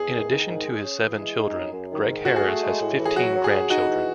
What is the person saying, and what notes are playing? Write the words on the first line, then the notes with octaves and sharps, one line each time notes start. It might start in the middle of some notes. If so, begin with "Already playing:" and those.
In addition to his seven children, Gregg Harris has fifteen grandchildren.
Already playing: E2 G#4
D#3
D#3
G#2
G#3
C#4
E3
G#3
D#4
F#2
F#2
D#3
G#2
A3 F#4
G#4
A3
G#3
A2
E3
G#4
F#3 F#4
F#3
G#4
F#3
D#4 F#4
E3